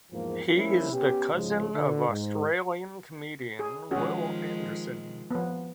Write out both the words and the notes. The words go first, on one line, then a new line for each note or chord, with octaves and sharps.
He is the cousin of Australian comedian Wil Anderson.
E2 G#2 F3 A#3
F3 G3 A#3 C#4 E4
B3 C#4 G4
C2 G#2 C#3 F3 G#3
B2 D3
G#2
G#4
D#3 F3 G#3 C#4 F#4 G#4
F3 B3